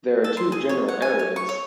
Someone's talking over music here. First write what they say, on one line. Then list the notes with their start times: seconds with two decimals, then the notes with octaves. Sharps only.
There are two general areas.
0.24 A4
0.37 C6
0.52 G#4
0.69 C#5
0.88 F#5
1.02 G#5
1.19 C#5
1.36 C#6
1.49 C#5